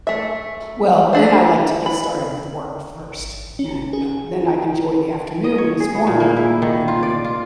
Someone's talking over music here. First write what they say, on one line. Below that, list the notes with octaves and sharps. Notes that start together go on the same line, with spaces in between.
Well, then I like to get started with work first and, uh, then I can joy the afternoon when it's warmer and, um,
A3 E5
A3 D4 C5
B5
G#1
C#4
G#4
D#5
C#5
G#4
B3
A#2
A#3
E4
D#3
F4
D5
F4